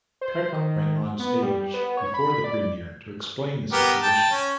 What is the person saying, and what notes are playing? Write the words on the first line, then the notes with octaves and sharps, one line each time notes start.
Peck went on stage before the premiere to explain the situation.
C5
D#3
B3
G3
B3
C#5
B5
D5
B3 G4 A#4
G5 A5
C#4